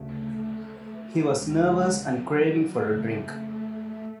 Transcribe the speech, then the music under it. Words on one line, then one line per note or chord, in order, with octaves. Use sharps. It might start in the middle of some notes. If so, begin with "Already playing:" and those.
He was nervous and craving for a drink.
Already playing: D2 C#3 A3
D2 C#3 G#3
F#3
F2 C#3 A3